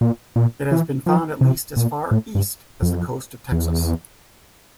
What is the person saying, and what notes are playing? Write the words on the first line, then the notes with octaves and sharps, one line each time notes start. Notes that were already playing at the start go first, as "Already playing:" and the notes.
It has been found at least as far east as the coast of Texas.
A#2
A#2
E3
F3
C3
A#2
A2
G2
F2
E2